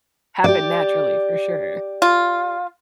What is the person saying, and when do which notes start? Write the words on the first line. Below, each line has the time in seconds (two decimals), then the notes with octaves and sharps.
happen naturally for sure.
0.44 G4 D5
2.02 F4